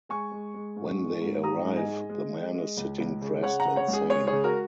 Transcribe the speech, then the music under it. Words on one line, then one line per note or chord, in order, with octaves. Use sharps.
When they arrive the man is sitting dressed and sane.
G#3 G#5 C#6
G#3
G#3
G#2
G#3
G#2
G#2 A#5 D#6
G#2
D#5 G#5
G#3
G#3
G#3
G#3
C#2
C#2
C#3
C#3 C#5 F#5
F#5 A#5
C#3
C#5 F#5
C#2
G#4
G#3 G#4 C#5
G#4 C#5
C#3
F#4 A#4